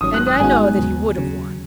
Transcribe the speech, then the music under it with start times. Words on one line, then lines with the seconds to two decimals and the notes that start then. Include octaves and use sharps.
And I know that he would have won.
0.01 G#1 G#2 D#3 F#3 C#4 D#6
0.14 F#6
0.27 D#6
0.40 G#2 G#3 B3 D#4 F#4 G#5
0.78 D#2 C#3 B3
1.17 D#2 C#3 F#3